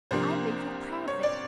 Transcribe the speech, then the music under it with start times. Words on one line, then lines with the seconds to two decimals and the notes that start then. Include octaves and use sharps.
I believe you're proud of it.
0.11 C2 C3 F3 A#3 D4 C5
1.08 C#5
1.23 D5